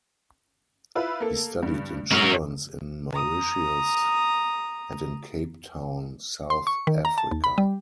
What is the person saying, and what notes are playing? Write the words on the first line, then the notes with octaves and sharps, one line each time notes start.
He studied insurance in Mauritius and in Cape Town, South Africa.
E4 F4 B4
A#3 A4
G2
B1 G#2 F#3 A#4
A#5 D#6
C6
C#6
D#3
A#5
A5
D#2
B5
G3